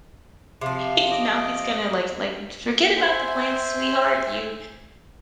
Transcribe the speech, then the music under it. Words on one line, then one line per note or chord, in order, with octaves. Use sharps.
he's now he's gonna, like like, "Forget about the plants, sweetheart, you
C3 F3 F5
D#5 D6
C5 E5 G#5 C6